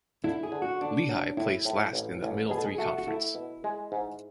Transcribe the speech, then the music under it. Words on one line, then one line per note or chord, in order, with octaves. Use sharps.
Lehigh placed last in the Middle Three Conference.
D3 E4
G#4
D3
F#4
D3 D4
F#3
A2 E4
A2
A1
A1
B2 G#4
A4
G#4
A3 F#4
F#4
A3 E4
B2
G#3
G#2